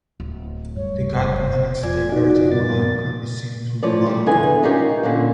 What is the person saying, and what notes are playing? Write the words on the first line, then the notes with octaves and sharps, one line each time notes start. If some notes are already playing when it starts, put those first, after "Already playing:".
The gut and its diverticula can be seen through the body wall.
D1
G2 C#5
F1 C5
F2 F4 D5 G#5
D#4 F#4 D5
G2 B3 A#4 A6
A2 F3 C#5 D5
G3
E2 D3 E3 G#4 B4 G#5
C#4 D#4 F4 G4 G#4 A#4
A#2 D3 A#3 C#4 D4